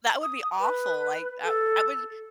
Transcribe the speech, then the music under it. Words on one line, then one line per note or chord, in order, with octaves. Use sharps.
that would be awful. Like, I I wouldn't
D#6
B4
A4